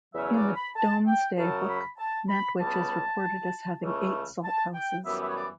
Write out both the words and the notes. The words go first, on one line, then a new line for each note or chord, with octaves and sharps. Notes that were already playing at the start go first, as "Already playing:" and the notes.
In the Domesday Book, Nantwich is recorded as having eight salt houses.
E2 C#3 F#3 C#4 E5
D5
B5
A5
G5
F#2 C#3 F#3 A5
B5
A5
B5
C#2 C#3 G3 B3 A5
C#2 C#3 E3 A3
A5
G5
F#2 E3 G3 B3 E5
E5
C#5
D5